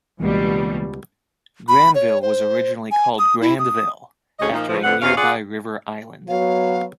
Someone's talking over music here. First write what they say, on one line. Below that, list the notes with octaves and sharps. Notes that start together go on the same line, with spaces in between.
Granville was originally called Grandville, after a nearby river island.
C#2 B2 E3 G3 G#3 A#3
B5
C#5
C5
G#5
D#6
E4
D#6
D2 A2 C#4 G#4 D#5
A#2 F3 A#3 D#4
A2 C#3 E3 F3
F2 D3 B3 F#5
E2 C3 C#4 F5
F4 G#4 D5 F#5
F#3 B3 F5